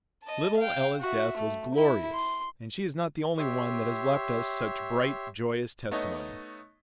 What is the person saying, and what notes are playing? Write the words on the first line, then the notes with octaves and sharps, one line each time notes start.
Little Ella's death was glorious and she is not the only one that has left us such bright, joyous testimony.
D#5 A5
F5 G5
F#4 E5
A3
E4
C6
G4 C#5 E5 C6
A3 B3 D#4 C#5 D#5